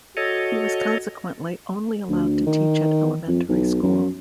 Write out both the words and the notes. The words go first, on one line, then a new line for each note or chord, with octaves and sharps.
He was consequently only allowed to teach at elementary school.
F#4 A4 C#5 D#5
D2
D#3
F2
B1
F#2